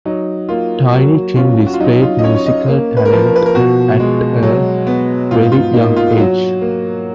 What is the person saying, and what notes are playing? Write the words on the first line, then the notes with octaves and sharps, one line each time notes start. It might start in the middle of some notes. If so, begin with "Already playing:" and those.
Tiny Tim displayed musical talent at a very young age.
F#3 D#4
A#3 F4
F#3 F#4
C#4 F4
F#4
F4
F#3 D#4
F4
D#5
C#4 C#5
C#5
D#5
A#3
B4
A#4
F3 B4
A#4
B4
A#4
B2 F#4
G#3
F#3
B3
G#2 F4
F4
A#3 D#4
F4
F#3 F#4
A#3